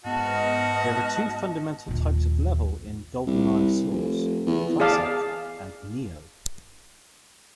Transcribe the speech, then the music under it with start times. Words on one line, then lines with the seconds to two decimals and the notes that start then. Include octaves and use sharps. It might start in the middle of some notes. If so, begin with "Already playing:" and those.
There are two fundamental types of level in "GoldenEye: Source"; "Classic" and "Neo".
0.04 G#2 B3 F#4 D#5 A5 F6
1.88 A#1 D#2
3.27 C2
3.90 F1
4.46 E2
4.80 G#4 D5 F5 A5